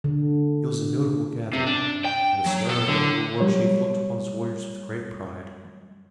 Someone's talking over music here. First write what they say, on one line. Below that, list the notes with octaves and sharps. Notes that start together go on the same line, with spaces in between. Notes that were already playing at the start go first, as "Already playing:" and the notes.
It was a notable gathering, and the stern Delaware war-chief looked upon his warriors with great pride.
D3
C3
D4
G5
F#3
A4
D3
F#3 G3 C#5